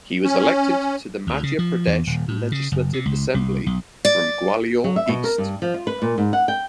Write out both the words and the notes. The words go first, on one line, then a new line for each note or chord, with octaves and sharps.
He was elected to the Madhya Pradesh Legislative Assembly from Gwalior East.
C#4
D2
C#3
F3
E2
D#1
A2
C#3
F#1
C3
C#2
C2
B1
D5
F#3
E5
B2
A#4
G2
F3
F4
B4
A#2
G#2
F#5
G5